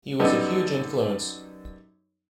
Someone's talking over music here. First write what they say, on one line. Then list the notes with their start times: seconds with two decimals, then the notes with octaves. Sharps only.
He was a huge influence.
0.20 F#2 G3 B3 D#4 A4